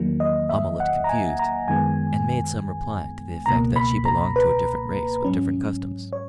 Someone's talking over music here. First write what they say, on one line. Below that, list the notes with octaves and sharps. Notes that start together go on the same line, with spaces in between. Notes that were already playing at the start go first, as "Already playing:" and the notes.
Almah looked confused, and made some reply to the effect that she belonged to a different race with different customs.
Already playing: E2 D#3 F#3 A#3
D#5
E5
F#5
A#5
G#5
A#5
F#2 D#3 G#3 B3 G#5
C#2 B2 A#3 A#5
B5
A#5
B4
G#2 F#3 C#4
C#5